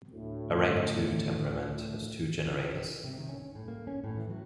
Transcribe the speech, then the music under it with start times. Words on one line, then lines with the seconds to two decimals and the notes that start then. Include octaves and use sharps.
A rank-two temperament has two generators.
0.11 D2 A2
3.04 C3
3.18 D#3
3.29 C#4
3.41 C#4
3.55 A2
3.68 A#3
3.87 C#4
4.04 A2
4.16 E3
4.30 F#3